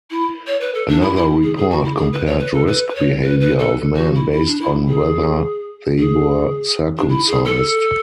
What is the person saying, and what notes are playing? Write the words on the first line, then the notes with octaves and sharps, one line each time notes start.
Another report compared risk behaviour of men based on whether they were circumcised.
E4
C#5
B4
A4
D4
E4
E4
G#4
G#4
F#4
E4
G#4
B4
C#5
B4
A4
B4
B4
C#5
B4
B4
A4
F#4
E4
E4
D4
E4
G#4
G#4
D4
E4
G#4
A4